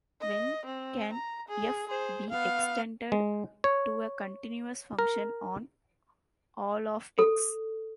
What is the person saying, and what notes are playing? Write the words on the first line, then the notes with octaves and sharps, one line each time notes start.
When can "f" be extended to a continuous function on all of "X"?
D#5
C4
A#5
G#4
G#4 C5
B3 F5
G#3
C#5
A#4
A4